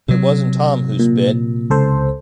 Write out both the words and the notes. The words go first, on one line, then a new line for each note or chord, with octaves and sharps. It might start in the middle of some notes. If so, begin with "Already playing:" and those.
It wasn't Tom who spit.
C3 F#3
A#2
C#2 A4 C5